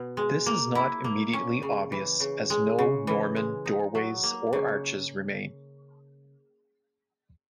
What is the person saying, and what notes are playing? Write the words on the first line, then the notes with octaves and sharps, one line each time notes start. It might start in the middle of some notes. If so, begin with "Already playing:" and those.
This is not immediately obvious as no Norman doorways or arches remain.
Already playing: B2
G#3
A#3
E4
A#3
C#4
C#3
E3
C#3
G#3
C#3
E3
G#3
D#4
F#3
A#3
C#3